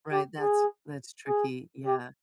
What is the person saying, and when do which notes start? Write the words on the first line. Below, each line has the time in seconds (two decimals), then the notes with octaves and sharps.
Right, that's that's tricky. Yeah.
0.12 G4
0.40 G#4
1.28 G#4
1.86 G4